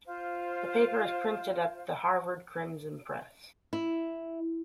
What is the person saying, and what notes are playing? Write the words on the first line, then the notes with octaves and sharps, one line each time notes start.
The paper is printed at "The Harvard Crimson" press.
F4 C5
E4